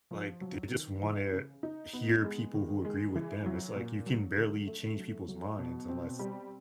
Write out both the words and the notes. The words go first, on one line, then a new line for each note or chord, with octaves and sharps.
like, they just wanna hear people who agree with them, it's like you can barely change people's minds unless
F3
F#3
D#3
E3
C#3
D#4
B3
G#3
D#3
G#3
E3
F#3
A#2
F#3
D3
A3
F#3
F#3
B2
C4
G3